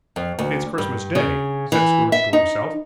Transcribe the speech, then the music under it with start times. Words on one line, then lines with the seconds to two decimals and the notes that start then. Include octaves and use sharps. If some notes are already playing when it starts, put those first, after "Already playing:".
'It's Christmas Day!' said Scrooge to himself.
0.16 F2
0.39 D2
0.78 G2
1.15 C#3
1.72 E3
2.12 E5
2.33 D#4